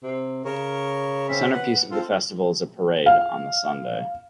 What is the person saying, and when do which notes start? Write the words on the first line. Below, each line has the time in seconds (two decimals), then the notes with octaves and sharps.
The centrepiece of the festival is a parade on the Sunday.
0.03 C3
0.45 C#3 A#4 C#5
1.29 C4 C#4 E5
1.52 B4 F#5
1.92 C4 F4 A4
3.06 F5